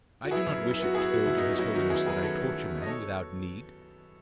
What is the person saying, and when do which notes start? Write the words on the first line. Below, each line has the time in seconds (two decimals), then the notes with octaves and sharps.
I do not wish it to go to his holiness that I torture men without need.
0.25 F#4
0.31 B3 E4 G#4
0.46 F#2
0.63 B3
0.71 E4
0.79 B3 F#4
0.94 B3 E4 G#4
1.11 B3 F#4
1.26 F#2 E4
1.37 B3 D#4
1.54 F#4
1.59 F#3 C#4 E4
1.75 D#3 D#4 F#4
1.90 B3 E4 G#4
2.06 F#3 G#4 B4
2.23 D#3 A4 C#5
2.39 B3
2.54 F#3
2.70 B3
2.82 D#5
2.86 A4 C#5